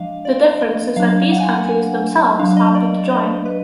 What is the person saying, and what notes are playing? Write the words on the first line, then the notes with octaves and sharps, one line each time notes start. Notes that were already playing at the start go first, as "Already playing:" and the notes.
The difference is that these countries themselves opted to join.
Already playing: F3 G#3 D4 D#5 F5
D5
D#5
F#3 D4 F5
F#5
G#5
F#5
G#5
F#3 D4 F5
D#5
D5
D#5
B4